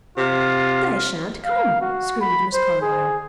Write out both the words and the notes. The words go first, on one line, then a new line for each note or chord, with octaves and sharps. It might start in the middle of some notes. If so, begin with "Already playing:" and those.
"They shan't come!" screamed Miss Carlyle.
C3 F4
F5
F#4
B5
C5
G#4